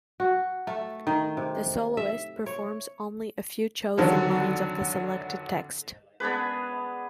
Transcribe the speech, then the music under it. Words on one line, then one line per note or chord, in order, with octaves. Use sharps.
The soloist performs only a few chosen lines of the selected text.
F#4
A3
D#3
C3
E5
C#5
F2 D3 D#3 F#3
B3 D4 G#4 B4